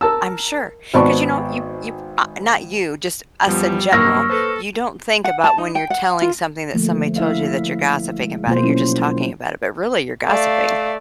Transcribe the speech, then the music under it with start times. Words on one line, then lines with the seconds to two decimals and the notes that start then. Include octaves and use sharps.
I'm sure, 'cause, you know, you you I not you, just us in general. You don't think about when you're telling something that somebody told you that you're gossiping about it, you're just talking about it, but really, you're gossiping.
0.01 A#4 A5 E6
0.94 G#1 B3 C5 D5 A5 C#6
3.46 F#2 F3 G3 B3
3.93 G2 F#3 A#3 A#4 C#6 E6 F6 A#6
4.30 A4 B4 C5
5.24 F#5
5.44 A5
5.58 D#4
5.75 G5
5.90 F#5
6.22 F4
6.74 D3 F3 A3 A#3
7.16 E4 E5 F5
8.20 G#3
8.47 B2 A#3 F4 C5
8.63 F#3 C#4 E4
10.26 A3 D5 F5